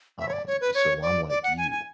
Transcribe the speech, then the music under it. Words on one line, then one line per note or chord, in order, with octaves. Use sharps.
um, so, I'm like you.
E5
C#5
D5
C#5
B4
C#5
D5
D5
F#5
G#5
G#5